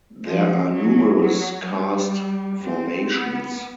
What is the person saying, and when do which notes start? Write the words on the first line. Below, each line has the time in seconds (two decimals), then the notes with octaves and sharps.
There are numerous karst formations.
0.24 F3
0.73 F#3
1.21 F#3
1.69 G3
2.64 C4
3.13 B3